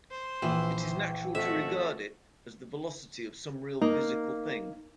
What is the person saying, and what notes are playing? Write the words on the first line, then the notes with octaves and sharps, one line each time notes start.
It is natural to regard it as the velocity of some real physical thing.
C5
A#1 E3
F2 A3 F#4 E5
A#3 D#4